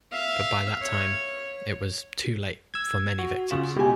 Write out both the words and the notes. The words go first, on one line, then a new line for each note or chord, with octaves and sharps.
But by that time, it was too late for many victims.
E5 F5
C#5
E6 G#6
F#4
C#3 F4
B2 G#3 G4 G#5